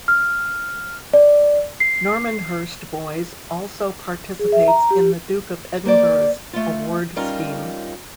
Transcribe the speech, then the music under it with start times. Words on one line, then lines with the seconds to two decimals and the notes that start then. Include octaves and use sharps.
Normanhurst Boys also participates in the Duke of Edinburgh's Award Scheme.
0.08 F6
1.13 D5
1.80 C7
4.39 G#4
4.52 E5
4.68 A#5
4.91 G4
5.86 A#3 C5 D5
6.53 A3 F4
7.16 G3 C#4 D#4 F4 A#4